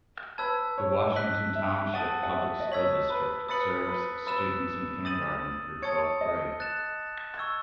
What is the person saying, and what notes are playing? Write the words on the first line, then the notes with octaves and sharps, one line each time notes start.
The Washington Township Public School District serves students in kindergarten through twelfth grade.
B4 A5 E6 G#6
C#5
D#5 F#6 B6 F#7
E5
F#5 A5 D#6 A6 D#7
F#5
E5
D#5
C#5 E6 G#6 B6 F#7
B4
B4 D#6 A6 C#7 F#7
B4
B4 E6 A6 E7
D#6 A6 D#7 F#7
C#5 A5 D#6 G#6 C#7
D#5
F#6 A6 E7
C#6 E6 G#6